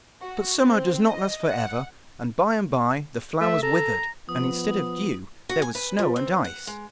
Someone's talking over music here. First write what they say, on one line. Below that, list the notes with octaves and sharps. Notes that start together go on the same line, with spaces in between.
But summer does not last for ever, and by-and-by the flowers withered, and instead of dew there was snow and ice.
F#4
C4
D#5
F#5
A3 E5
A4 A#5
F3 B3 D#6
F#4
G#5
B4
F3
C4
F#5
G#3